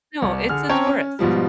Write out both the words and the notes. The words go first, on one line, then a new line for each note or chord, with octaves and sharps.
No, it's a tourist.
C2
D3 G#4 F6
C4 C#4 C#5 G5 A5 A#5
C#4
G#2 B2 F3 G3